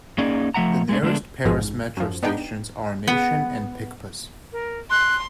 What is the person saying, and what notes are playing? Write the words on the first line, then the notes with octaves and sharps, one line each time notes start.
The nearest Paris metro stations are Nation and Picpus.
A#3 C#4 D#4 G#4 D5
F3 A3 E5 F#5 A#5
G#3 A3 D4
D3 G#3 A3 B3 D4
A1 F2 G#2 F3 G#3
F#2 F3
B3 D4 D#4 G5
B3
A#4
C6 F#6